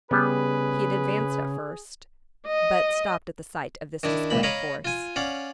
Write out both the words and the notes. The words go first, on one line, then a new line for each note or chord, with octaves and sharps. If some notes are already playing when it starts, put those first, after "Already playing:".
He had advanced at first, but stopped at the sight of this display of force.
C#3 G3 B3 G#4 B4
D#5
D#3 D4 E4
C#2 A#2 B5
C#5 D#5 F5 A#5 B5 D6
F4 G#5
C#4 D5 F5 F#5